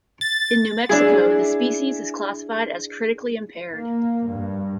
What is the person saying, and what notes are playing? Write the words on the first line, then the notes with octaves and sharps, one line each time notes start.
In New Mexico, the species is classified as "critically impaired".
A6
D4 E4 G#4
A#3
G2